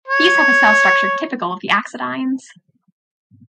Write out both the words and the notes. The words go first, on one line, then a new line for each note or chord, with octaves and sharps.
These have a cell structure typical of the axodines.
C#5